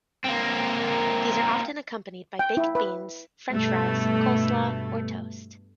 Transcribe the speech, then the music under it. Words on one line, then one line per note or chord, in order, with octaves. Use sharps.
These are often accompanied by baked beans, French fries, coleslaw, or toast.
A#3 C4
G5
E4
B4
G2 B2 A3